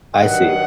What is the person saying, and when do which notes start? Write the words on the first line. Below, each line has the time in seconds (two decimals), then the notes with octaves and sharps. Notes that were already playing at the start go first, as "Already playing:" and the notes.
I see.
0.20 G2 D#3 F#3 F#5